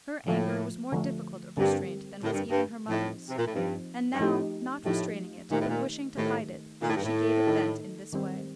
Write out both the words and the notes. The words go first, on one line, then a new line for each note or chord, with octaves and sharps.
Her anger was more difficult of restraint than was even her mother's,--and now, not restraining it, but wishing to hide it, she gave it vent in this way.
A2 D3 F3 A3
D3 F3 A3
G2 D3 G3 C4 G4 A#4
A2 D3 G3 C4 G4 A#4
G2
G2
A2 F3 C4 D#4
C3
A#2
A2
G2 F3 C4 D#4
G2
A2 F3 A3 D#4 G4
A2 F3 A3 D#4 G4
A#2 D#3 A3 D#4 G4 C5
A2
A#2
A2 D#3 A3 D#4 G4 C5
A#2 D#3 A3 D#4 A4
A2
G2
A2
D#3 A3 D#4 A4
D#3 G3 C4